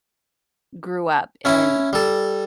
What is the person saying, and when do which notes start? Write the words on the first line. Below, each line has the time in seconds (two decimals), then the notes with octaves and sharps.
grew up, and,
1.45 C#4 E4
1.93 G3 A4